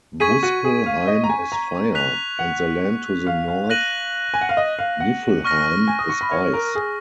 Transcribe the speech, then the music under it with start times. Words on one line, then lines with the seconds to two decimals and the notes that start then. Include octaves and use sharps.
Muspelheim is fire; and the land to the North, Niflheim, is ice.
0.20 G#4 C#6 G#6 B6 D#7
0.43 F#4
0.64 G#4
0.86 F5
1.07 D#5
1.24 A#5
1.30 G#5
1.52 A#5
1.95 F#6 B6 F7
2.39 F#5
3.27 F5
3.48 F5
3.70 F#6 A#6 D#7 F#7
4.34 G#5
4.41 F#5
4.49 F5
4.57 D#5
4.79 F5
5.00 F#5
5.44 C#6 F6 A#6
5.88 G#5
5.99 D#6
6.09 C#6
6.21 B5
6.32 C#5
6.53 A#4
6.75 G#4